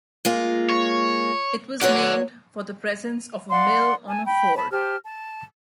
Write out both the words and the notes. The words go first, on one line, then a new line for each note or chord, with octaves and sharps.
It was named for the presence of a mill on a ford.
G#3 A#3 F4
C#5
E2 F#3 C#5 D5 F#5
D5 F5 F#5 C6
G#5 A5
G5 B5
A5 B5
G4 C5 A5 F6
A5